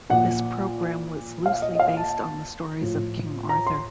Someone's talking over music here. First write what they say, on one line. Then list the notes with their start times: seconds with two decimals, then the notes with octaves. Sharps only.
This programme was loosely based on the stories of King Arthur.
0.10 A#2 F3 F#5
1.46 F5
1.62 D#5
1.75 D#5
1.80 F5
1.97 A5
2.81 A2 F3
3.49 A#5
3.67 C6